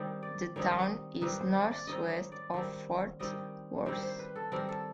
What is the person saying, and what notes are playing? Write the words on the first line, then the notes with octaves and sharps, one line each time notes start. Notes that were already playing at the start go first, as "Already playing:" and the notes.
The town is northwest of Fort Worth.
Already playing: D#3 G3 C4 D#4
D5
D#3 G3 C4 D#4 C#5
D#5
D#3 G3 C4 D#4 B4
C5
D5
D5
D#3 G3 C4 D#4 D#5
C#5
D5
D#3 G3 C4
D#3 G3 C4 D#5
D#3 G3 C4 C5
C5
B4
A4
D#3 G3 C4 A#4
A4